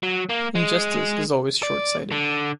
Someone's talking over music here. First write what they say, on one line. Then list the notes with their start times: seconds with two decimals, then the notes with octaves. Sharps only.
Injustice is always short-sighted.
0.03 F#3
0.29 A#3
0.55 G#3
1.63 D5
2.12 D3